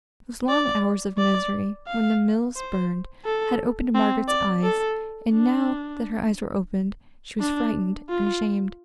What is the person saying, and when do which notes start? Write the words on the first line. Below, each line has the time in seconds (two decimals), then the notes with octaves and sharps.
Those long hours of misery when the mills burned had opened Margaret's eyes; and now that her eyes were opened, she was frightened and ashamed.
0.49 D5
1.18 D5
1.87 F5
2.56 C5
3.25 A4
3.95 C4
4.28 D5
4.63 A4
5.33 D4
7.40 D4
8.10 F4